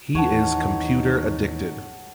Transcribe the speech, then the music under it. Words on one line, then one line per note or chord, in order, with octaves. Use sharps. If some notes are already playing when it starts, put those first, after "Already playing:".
He is computer addicted.
D#2 E3 D#4 C#5 F#5 A5